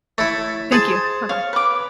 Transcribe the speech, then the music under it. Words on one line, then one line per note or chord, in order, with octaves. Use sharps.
Thank you. Bye-bye.
A3 E4 C#5
G#4 C5 A5
C#5 F5
B4 D6